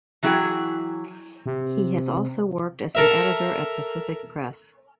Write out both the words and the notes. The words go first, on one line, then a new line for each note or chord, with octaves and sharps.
He has also worked as an editor at Pacific Press.
E3 F#3 E4 G#4 G5
C3
A4 A#4 E5